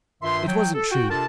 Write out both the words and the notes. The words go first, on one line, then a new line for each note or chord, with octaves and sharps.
It wasn't true.
G2 D#3 F4 E5 C6
F#3 G5
A4
F#4 G5
C3 D4 F4 A4 A#4 A5